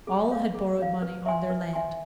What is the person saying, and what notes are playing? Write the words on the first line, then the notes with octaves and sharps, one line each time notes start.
All had borrowed money on their land.
G#4
C#5 F5
G#4
C#5 F5
B4
E5 G#5 C6
B4
E5 G#5 C6